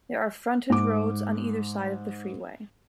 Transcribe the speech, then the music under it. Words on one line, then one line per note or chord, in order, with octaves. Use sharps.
There are frontage roads on either side of the freeway.
G#2 D6